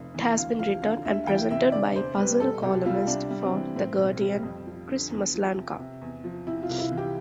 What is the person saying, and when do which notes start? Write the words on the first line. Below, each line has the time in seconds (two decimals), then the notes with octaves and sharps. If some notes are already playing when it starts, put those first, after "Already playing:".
It has been written and presented by puzzle columnist for "The Guardian", Chris Maslanka.
Already playing: F1 F2
0.14 E3
0.37 D2 F5
0.59 F3 F5
0.82 D3 F5
1.05 D2 E5
1.24 F5
1.27 E3 G5
1.50 C3 E5
1.72 D3 D5
1.96 E2 C5
2.18 G3 B4
2.40 B2 A4
2.63 C2 G4
2.85 G3 F4
3.07 C3 D4
3.30 G3
3.42 C4
3.54 E3
3.76 A2 C4
3.98 B1
4.21 G3
4.43 F2
4.66 F3
4.89 D3
5.10 E2
5.34 F3
5.57 C3
5.79 C3
6.02 E2
6.24 F3
6.47 C3 E4
6.63 F4
6.69 C2
6.80 E4
6.91 E3
6.98 G4